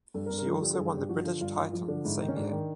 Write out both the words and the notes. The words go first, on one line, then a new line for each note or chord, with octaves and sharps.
She also won the British title in the same year.
G2 A4
A#4
G2
A#4
F3 A4
D3 G4
A4
G2 G#4
G2 G4
F3 F#4
D3 F4
G2 F4
G2
F3
D3
G#2 E4
D#3 D#4
C#4
G#2 D4
D#3